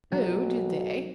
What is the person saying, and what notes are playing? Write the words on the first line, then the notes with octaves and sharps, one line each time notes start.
'Oh! did they?
B1 F#3